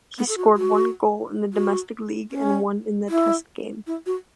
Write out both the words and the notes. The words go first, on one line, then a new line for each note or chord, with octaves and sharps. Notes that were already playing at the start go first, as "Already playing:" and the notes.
He scored one goal in the domestic league and one in the test game.
B3
A4
F#4
F#4
F#4
C#4
E4
E4
F#4